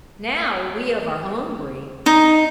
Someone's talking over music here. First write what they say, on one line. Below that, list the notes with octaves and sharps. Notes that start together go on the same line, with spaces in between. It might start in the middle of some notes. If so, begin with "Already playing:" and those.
"Now we of are hungry."
D#4